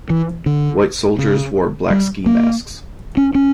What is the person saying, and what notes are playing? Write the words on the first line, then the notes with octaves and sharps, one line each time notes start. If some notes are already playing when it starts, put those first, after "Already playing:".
White soldiers wore black ski masks.
E3
D3
C#3
G3
A#3
C#4
C#4